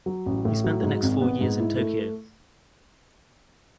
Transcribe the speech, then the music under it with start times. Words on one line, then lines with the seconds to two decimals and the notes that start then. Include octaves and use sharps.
He spent the next four years in Tokyo.
0.06 F#3
0.26 A1
0.45 A2
0.64 F#3
0.83 G#2
1.03 G#1
1.21 B3
1.41 G#2
1.60 E4
1.78 A3